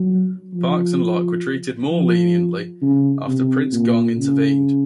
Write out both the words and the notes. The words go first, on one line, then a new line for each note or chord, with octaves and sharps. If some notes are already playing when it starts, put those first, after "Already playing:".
Parkes and Loch were treated more leniently after Prince Gong intervened.
Already playing: F#3
F3
F3
C#3
C3
A#2
C#3